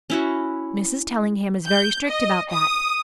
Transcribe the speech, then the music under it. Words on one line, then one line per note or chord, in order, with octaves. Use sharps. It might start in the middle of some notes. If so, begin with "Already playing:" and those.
Mrs. Tellingham is very strict about that.
C#4 E4 F#4
G6
D#5
D#6